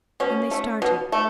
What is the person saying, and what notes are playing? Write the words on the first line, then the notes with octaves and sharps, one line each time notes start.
And they started.
B2 C#4
A3
B2
A3